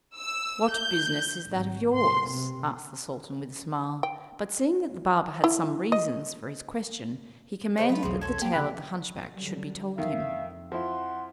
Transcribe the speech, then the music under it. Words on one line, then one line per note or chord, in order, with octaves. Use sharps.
"What business is that of yours?" asked the Sultan with a smile; but seeing that the barber had some reasons for his question, he commanded that the tale of the hunchback should be told him.
E6
G6
G#1
C6
C3
G5
E4
D#5
C#3 C5 D#5
F#3 F4 B4
B1 E2 C#3 F3 F#3 C6
C#4 A4 G#6
A#3 G4
C#3 B5 F#6
D3 F#3 G3
F2 D#3 E5 F5
F3 E4 F#5 C6